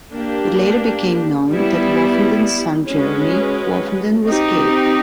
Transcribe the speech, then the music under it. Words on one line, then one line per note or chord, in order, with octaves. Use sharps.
It later became known that Wolfenden's son Jeremy Wolfenden was gay.
A#3 D4 G4
G3 B3 E4
G#3 C#4 F#4 B4
C4 D#4 G4